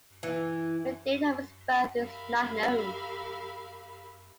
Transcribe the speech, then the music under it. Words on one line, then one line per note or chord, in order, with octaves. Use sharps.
The date of his birth is not known.
E3
G4 A#4 E5 F5 B5